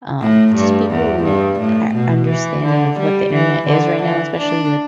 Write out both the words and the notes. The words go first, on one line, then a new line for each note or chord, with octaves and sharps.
um, just people who are understanding of what the internet is right now, especially with
A2
G2
E2
G2
A2
B2
E3
D3
G3
E3
D3
E3
D4